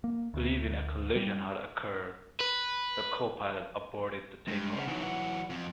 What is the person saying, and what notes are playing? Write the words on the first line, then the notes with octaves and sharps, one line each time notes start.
Believing a collision had occurred, the copilot aborted the takeoff.
A#3
D2
G3
B4
G2 G#3
C#3 C5 F#5
E3 F#3 B3 D#4
F#5
F2